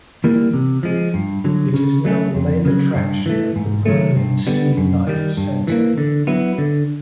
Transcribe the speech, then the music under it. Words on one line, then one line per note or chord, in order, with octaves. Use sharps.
It is now the main attraction of the Berlin Sea Life Centre.
E3 G3 A#3
C3
F3 G#3
G2
D3 F#3
C#3
F#3 A3 C#4
F2
C#3 F#3
G2
E3 A3
G#2
D#3 F#3 A3
G2
D3 G3 B3
F#2
D#3 G3
G2
E3 G3 A#3
D3
F#3 B3 E4
D3